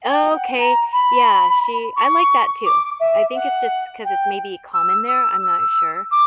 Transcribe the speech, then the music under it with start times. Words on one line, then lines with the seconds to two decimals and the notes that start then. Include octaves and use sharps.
Okay, yeah, she I like that too, I think it's just 'cause it's maybe common there, I'm not sure,
0.12 G5
0.34 F#5
0.58 A#5
0.92 B5
1.96 C#6
2.65 D6
3.00 E5
3.35 F#5
4.05 G5
4.73 E6
5.07 E6
5.42 E6
6.11 D6